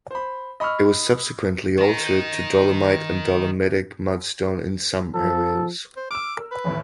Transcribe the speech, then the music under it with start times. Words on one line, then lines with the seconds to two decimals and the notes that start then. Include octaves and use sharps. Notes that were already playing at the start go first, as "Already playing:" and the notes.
It was subsequently altered to dolomite and dolomitic mudstone in some areas.
0.11 C5 B5
0.60 D#5 B5 C#6 E6 F6
1.78 D#3 D#4
5.15 F3 A4
5.97 C5
6.10 D6 E6 F6
6.37 A#4
6.51 B4
6.64 A1 D#2 A2